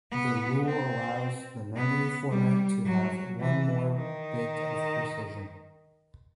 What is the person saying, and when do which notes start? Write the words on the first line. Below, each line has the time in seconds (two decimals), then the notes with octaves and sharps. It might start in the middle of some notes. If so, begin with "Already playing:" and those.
The rule allows the memory format to have one more bit of precision.
0.12 B3
0.66 C4
1.76 B3
2.31 G3
2.85 F#3
3.40 E3
3.96 D#3